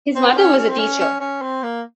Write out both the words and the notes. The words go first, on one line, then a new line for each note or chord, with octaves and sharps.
His mother was a teacher.
C4
C#4
C#4
C4
C#4
C#4
C#4
C4
A#3